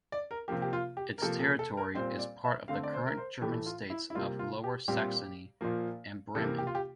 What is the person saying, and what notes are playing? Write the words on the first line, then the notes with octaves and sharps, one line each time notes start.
Its territory is part of the current German states of Lower Saxony and Bremen.
D5
A#4
C3 F3 A#3 G4
G4
F4
G4
A#4
C3 F3 A#3 A4
A4
A4
A#4
A#2 G3 C4 C5
D5
E5
D3 A3 C4 F5
D5
C5
A#4
C5
A2 E3 A3 G4
F4
E4
E4
C3 G3 A#3 F4
F4
G4
A#2 G3 C4 G4
A#2 F3 A#3
C3 E3 A#3 A4
G4
F4
G4